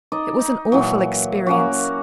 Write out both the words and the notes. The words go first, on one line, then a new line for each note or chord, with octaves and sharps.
It was an awful experience.
D#4 D5 D#5
D#4
A#2 E3 F#3
A#3 C#4 F#4